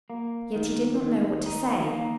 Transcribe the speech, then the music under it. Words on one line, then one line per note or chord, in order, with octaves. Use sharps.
Yet he did not know what to say.
A#3
D#3
D#3
D#4
A#3